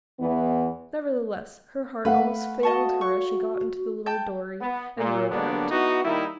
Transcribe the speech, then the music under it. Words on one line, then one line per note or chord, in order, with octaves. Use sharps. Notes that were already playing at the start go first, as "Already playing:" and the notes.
Nevertheless, her heart almost failed her as she got into the little dory and rowed out.
E2 E3 B3
A3 B4 F5 F#5
F#4 D#5 A5 C#6
C#6
G5 A5 G6
B3
A#2
D3 F#3 G3 A#3 B3 D4
B3 D#4 E4 F#4
D#3 G3 A#3 D#4 E4